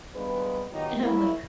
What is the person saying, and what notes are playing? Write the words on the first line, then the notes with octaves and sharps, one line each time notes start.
And I'm like,
D#2 G3 G#3 B3 D4 B4
B2 D#3 F#3 D#4 F4 G4
C#3 F3 A#3 E4